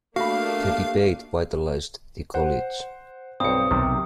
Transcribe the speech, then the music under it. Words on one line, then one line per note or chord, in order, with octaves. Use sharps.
The debate vitalized the college.
A3 A#3 D4 F#4 G4 F5 B5
C5 F#5
B1 G2 C4 D#6 C#7
B1 C3 D#3